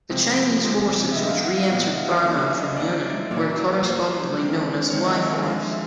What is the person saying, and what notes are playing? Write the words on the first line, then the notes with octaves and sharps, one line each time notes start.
The Chinese forces which re-entered Burma from Yunnan were correspondingly known as Y Force.
C3 F3 G#3 C4
C3 F3 G#3 C4
E5
A#2 G3 B3 D#5
E5
F5
F#5
F5
A#2 G3 B3 F5
F#5
F5
F5
D3 F#3 A#3 C#4 F5
E5
D#5
D3 F#3 A#3 C#4 D5
A#2 F#3 A#3
B4
A#2 F#3 A#3 C5
D#3 G#3 C4
D#3 G#3 C4 C#5
D5
D#5
E5
D3 F3 G#3 F5
E5